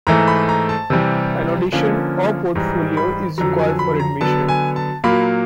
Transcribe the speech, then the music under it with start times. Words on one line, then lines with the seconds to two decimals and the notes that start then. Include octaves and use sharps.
An audition or portfolio is required for admission.
0.07 G#2 E3 A3 A#5
0.28 B5
0.49 A#5
0.69 A5
0.90 C3 E3 G3
1.72 D3 F3 A#3 C#4
2.55 G#2 E3 G3 A#5
2.97 B5
3.38 F2 D3 F#3 A#5
3.59 G#5
3.79 B5
4.00 A#5
4.21 D3 F#3 B3 A5
4.48 G#5
4.76 A5
5.04 A#2 F#3 A#3 B5